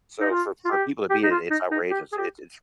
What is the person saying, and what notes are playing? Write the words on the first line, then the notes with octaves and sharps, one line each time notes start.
So for for people to be in it, it's outrageous. It's it's
D#4
F4
F4
G4
G4
D#4
F4
D#4
D#4
G4
G#4
G4